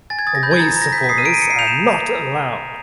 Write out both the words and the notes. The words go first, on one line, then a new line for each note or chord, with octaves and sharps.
Away supporters are not allowed.
G#5 A6
G#6
D#6 A6
A#6
B5 G6
G#6
A#5 A6
A#5
A#6
G6 B6
B6
D#6 C7
D#7
A#5 D7
D#7
A#5 C#7
C7
G6 F7
E7